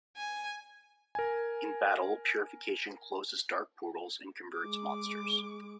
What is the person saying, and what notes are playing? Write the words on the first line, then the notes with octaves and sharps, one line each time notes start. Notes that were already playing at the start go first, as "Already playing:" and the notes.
In battle, purification closes dark portals and converts monsters.
G#5
A#4 G#5
G#3 D6